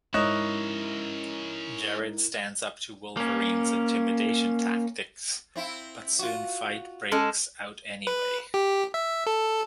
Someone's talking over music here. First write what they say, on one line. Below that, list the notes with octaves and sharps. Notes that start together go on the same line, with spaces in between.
Jared stands up to Wolverine's intimidation tactics but soon fight breaks out anyway.
G#2 C#4 E4 A#4 C#5 D#5 E5 F#6
A#3 C#4
C4 E4
F4 F#4
G#3 C#4 A4
B4
G4
E5
A4